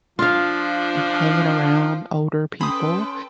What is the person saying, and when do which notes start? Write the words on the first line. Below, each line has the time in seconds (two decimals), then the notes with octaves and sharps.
like, hanging around older people,
0.19 F3 D4 F4 F5
2.61 C#4 A4 B4 G5 B5 C6 D#6